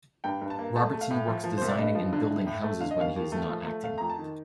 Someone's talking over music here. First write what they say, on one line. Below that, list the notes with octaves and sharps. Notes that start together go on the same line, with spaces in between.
Robertson works designing and building houses when he is not acting.
G2 G5
G2
A5
A#3
A3 A5
A3
F5
A2
F3
F3
C2 C5
D5
G2 D#5
F3
D3
A2
A2
A3
D3 F5
D#5
D#2 F5
D#2
A3
F3
A3
A3 F5
F2 A#5
A5
D#3